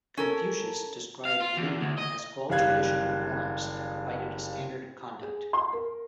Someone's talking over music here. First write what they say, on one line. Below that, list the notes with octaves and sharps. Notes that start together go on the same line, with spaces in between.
Confucius described "Li" as all traditional forms that provided a standard of conduct.
C#4 A4 A#4
F5
F4
E2
D2
D#5
F#1 D#3 G3 F5 F#6 G#6
G#4
C6
A#4